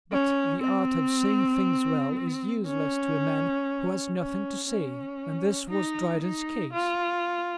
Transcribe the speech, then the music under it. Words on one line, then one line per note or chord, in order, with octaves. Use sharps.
But the art of saying things well is useless to a man who has nothing to say; and this was Dryden's case.
C#4
C4
C#4
C#4
C#4
D#4
D#4
F4